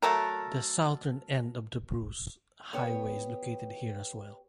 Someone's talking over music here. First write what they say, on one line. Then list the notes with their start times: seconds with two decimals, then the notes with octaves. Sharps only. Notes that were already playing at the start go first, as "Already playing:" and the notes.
The southern end of the Bruce Highway is located here as well.
0.02 F#3 A3 A4 A#4
2.73 B3 G4 C#5